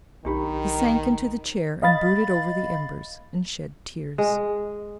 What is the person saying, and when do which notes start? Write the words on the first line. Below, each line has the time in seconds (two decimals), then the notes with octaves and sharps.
He sank into the chair, and brooded over the embers, and shed tears.
0.25 B1 D#3 D4 D#4 G4 B5
1.82 D#5 F5 B5 A6
4.18 G#3